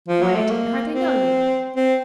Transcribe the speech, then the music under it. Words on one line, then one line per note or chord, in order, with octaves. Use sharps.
"Why, I didn't hardly know you!"
F3
F#3
A3
A#3
C4
C4